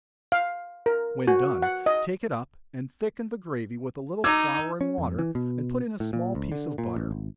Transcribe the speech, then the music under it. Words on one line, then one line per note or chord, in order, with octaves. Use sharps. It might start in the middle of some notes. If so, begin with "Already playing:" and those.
When done, take it up, and thicken the gravy with a little flour and water, and put in a small piece of butter.
F5
A#4
F#4
F#5
D#5
D#4 D6 E6 G#6
C#4
F2
E3
B2
A2
A#2
C#2
D3
A#2
A1
G#1